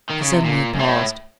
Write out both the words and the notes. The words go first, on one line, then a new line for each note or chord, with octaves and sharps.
He suddenly paused.
D#3
C#3
C3
A#2
F#2
A2